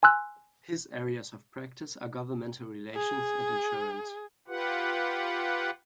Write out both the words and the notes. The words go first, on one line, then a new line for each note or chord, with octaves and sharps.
His areas of practice are governmental relations and insurance.
G#5 C6 E6 F#6
G#4
F4 G4 B4 F#5